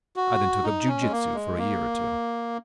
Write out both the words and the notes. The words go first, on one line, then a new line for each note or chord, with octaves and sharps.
I then took up jiu-jitsu for a year or two.
F#4
D#4
C#4
G#3
A#3
G#3
A#3